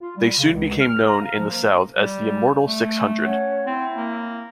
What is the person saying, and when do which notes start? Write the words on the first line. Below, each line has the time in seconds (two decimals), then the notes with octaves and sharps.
They soon became known in the South as the Immortal Six Hundred.
0.01 F4
0.17 G3
0.38 C#3
0.52 C#2
0.81 F6
1.07 A#5
1.22 F5
1.37 F3
1.51 A#3
1.98 G3
2.65 A3
3.25 C#4 C#5 F#5
3.66 C4 E4
3.97 A#3